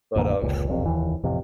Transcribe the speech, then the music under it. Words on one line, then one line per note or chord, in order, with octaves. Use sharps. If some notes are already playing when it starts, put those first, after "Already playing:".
but, um,
A1 F2 D3 A#3
F1 C#2 A#2
E1 B1 F2 C3
F1 D#2 E3
A1 F2 C3